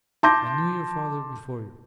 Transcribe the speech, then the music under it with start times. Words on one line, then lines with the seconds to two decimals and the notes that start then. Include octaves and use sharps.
I knew your father before you.
0.23 A5 C6 D6 G6 A#6